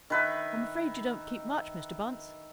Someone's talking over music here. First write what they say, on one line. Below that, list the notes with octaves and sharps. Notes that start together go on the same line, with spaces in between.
"I'm afraid you don't keep much, Mr. Bunce."
D#3 B4 E5